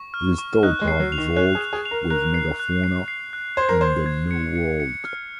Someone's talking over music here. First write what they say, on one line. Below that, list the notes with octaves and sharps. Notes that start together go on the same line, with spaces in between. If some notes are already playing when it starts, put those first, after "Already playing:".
It is thought to have evolved with megafauna in the New World.
Already playing: C#6
F6
C#6
D#4 F#6
G#3
C7
F#3
F7
D#3
C#4 F#6
G#4
F7
G#4
F7
A#4
A#4 F#6
C7
F#6
C7
C7
F#6
C5 G#6
A#4
C5 G#6
G#6
C#7
C#7
C#7
F6